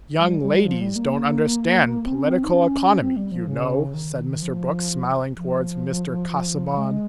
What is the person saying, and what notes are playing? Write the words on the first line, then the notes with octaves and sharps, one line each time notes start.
"Young ladies don't understand political economy, you know," said Mr. Brooke, smiling towards Mr. Casaubon.
G3
G3
F3
G3
A#3
C4
C#4
C4
D#4
C#4
C4
G3
F3
C#3
D#3
F3
F3
G#3